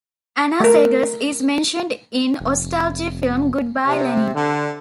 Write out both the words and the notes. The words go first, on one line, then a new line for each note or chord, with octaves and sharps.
Anna Seghers is mentioned in the ostalgie film, "Good Bye Lenin!".
A3 A#4
F1
C3
D3